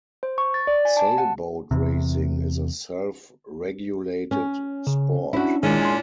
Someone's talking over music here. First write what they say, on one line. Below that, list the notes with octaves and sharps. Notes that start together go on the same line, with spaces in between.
Sailboat racing is a self-regulated sport.
C5
C#6
A6
D5
G#5
A5
F#5
E2 C3
C#4
C#3
C#4 D4 E4 F#4
A#2 D#3 G#3 C#4 D4
G#5 C6